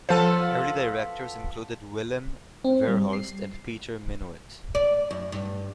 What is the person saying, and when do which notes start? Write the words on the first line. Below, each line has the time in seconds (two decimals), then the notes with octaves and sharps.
Early directors included Willem Verhulst and Peter Minuit.
0.09 F3 B3 F4 A4 C5
2.65 C4
2.88 G3
3.13 C7
4.75 D5
5.11 F#2
5.32 G2